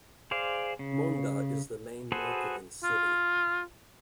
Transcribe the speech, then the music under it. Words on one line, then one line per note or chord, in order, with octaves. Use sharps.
Mondha is the main market in city.
G#4 C5 D5 F5
C#3
F#4 G#4 A4 B4 C5
F4